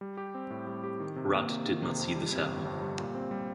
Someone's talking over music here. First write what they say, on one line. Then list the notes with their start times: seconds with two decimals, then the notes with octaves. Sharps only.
Rudd did not see this happen.
0.01 G3
0.17 G4
0.35 C4
0.50 A2
0.67 G3
0.83 G4
1.00 D#3
1.16 C3
1.33 A#3
1.50 C3
1.66 D#3
1.83 C3
1.99 F2
2.16 G3
2.32 C3
2.48 G1
2.65 F2
2.82 G3
2.98 A#2
3.15 C4
3.31 G3